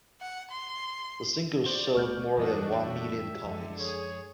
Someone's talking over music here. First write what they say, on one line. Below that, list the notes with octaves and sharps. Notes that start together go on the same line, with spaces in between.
The single sold more than one million copies.
F#5
C6
F#4 C5 D5
D1 A3 C#6 F6 G6
F2 E3 G3 A3 D4 F#4 D#5
E5 G5
F#2 D3 F3 G#3
G#4 C#5